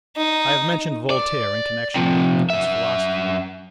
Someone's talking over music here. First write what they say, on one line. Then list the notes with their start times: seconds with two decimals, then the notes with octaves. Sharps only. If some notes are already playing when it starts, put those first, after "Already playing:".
I have mentioned Voltaire in connection with Newton's philosophy.
0.17 D#4
1.10 D5
1.96 C3 F3
2.50 F#2 E5